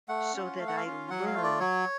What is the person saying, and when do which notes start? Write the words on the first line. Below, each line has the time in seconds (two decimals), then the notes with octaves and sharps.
so that I learn
0.09 A3 F#5
0.34 C#4 F4
0.59 A3 F5
0.68 F#5
0.77 F5
0.85 C#4 F4
1.10 F#3 F#5
1.27 F5
1.34 A3 F4
1.43 D5
1.60 F#3 C#5